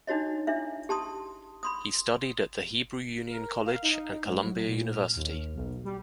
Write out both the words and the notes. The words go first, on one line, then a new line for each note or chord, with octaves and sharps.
He studied at the Hebrew Union College and Columbia University.
D4 D#4 F#4 C#5 D#5
D4 E4 E5
G4 A5 C6 D#6
B5 C6 D#6
A#4
F5
D#4
G#2
F#3
A#2
F6
D#2
B1
G3